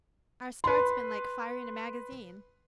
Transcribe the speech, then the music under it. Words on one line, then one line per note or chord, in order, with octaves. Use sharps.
Our start's been like firing a magazine.
B4 C6